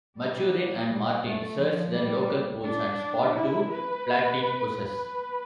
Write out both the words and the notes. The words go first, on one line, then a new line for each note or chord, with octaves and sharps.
Maturin and Martin search the local pools and spot two platypuses.
G3
G3
A3
F3
G3
D4
E4
B4
B4